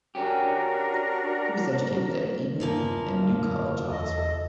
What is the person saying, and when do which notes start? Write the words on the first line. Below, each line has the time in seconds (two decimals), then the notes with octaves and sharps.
He was educated at Eton and New College, Oxford.
0.15 C#4 D4 F#4 G4 A#4
2.60 E2 G2 C#3 F3 A#3
3.13 F#2 D3 F5
3.78 F#4 D5 E5
3.91 E2 A4 D#5 E5